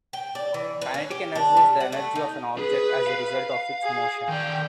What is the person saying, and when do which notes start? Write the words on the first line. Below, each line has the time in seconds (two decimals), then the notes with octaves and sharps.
Kinetic energy is the energy of an object as a result of its motion.
0.13 G5
0.35 D5
0.54 E3
0.81 B4
0.94 C#4
1.11 G4
1.35 D4
1.57 G3
1.80 F#5
1.92 A3
2.15 D#4
2.58 G#4 B4
3.07 F5
3.84 G#4
4.29 D#3 D5 G5